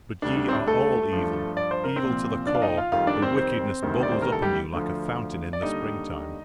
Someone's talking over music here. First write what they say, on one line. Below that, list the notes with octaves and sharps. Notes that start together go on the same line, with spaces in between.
But ye are all evil--evil to the core--the wickedness bubbles up in you like a fountain in the spring-time.
D2 D3 G3 D4
D4
C4
D4
A3 A4
G2 F3
D5
C5
A#4
C4 C5
C2 A#2 F3
D4 D5
F5
D#4 D#5
F4 F5
F2 D#3 G3 F4 F5
D4 D5
C4 C5
C4 C5
D2 C3 D#3 G3
D5
C5
A#4
A4
G3 G4
D2 D3 F3
D5
D#2 D3 G3 D#4 D#5